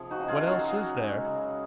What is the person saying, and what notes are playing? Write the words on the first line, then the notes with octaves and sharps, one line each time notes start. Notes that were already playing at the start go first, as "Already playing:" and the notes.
"What else is there?"
Already playing: C3 F3 G#4
D#4 F#4
C#3
F4 G#4
F#3 F#4 A#4
F#3
G#3
C#3